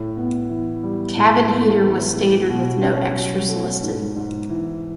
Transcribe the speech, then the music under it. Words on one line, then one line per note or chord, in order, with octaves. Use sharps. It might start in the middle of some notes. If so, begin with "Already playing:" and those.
Cabin heater was standard with no extras listed.
Already playing: A2
B3
E3
G3
A2
B3
E3
G#3
B2
C#4
F#3
A3
G#2
G#2
E3